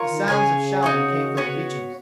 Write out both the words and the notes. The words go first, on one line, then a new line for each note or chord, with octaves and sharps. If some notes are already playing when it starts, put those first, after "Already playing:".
The sounds of shouting came from the Beecham's.
Already playing: F4 A#4 C#5
D#3
C#3 G#4 C#5 G#5
D#4 F#4 C#5
B3 F#4 C#5